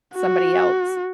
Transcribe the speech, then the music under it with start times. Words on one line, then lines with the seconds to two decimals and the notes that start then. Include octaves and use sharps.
somebody else
0.16 F#4